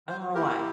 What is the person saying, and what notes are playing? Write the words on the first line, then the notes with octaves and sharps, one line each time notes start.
I don't know why.
C5
A#3 E4 G4 A#4